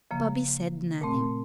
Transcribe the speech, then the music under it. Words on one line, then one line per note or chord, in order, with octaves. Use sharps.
Bobby said nothing.
C#3 F3 A#3
A#2 A3 C4